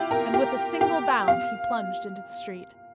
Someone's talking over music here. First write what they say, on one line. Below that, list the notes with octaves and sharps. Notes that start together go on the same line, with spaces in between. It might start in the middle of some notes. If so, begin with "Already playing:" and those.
And with a single bound he plunged into the street.
Already playing: E4 F4 G4
A#4
G4
G4
F5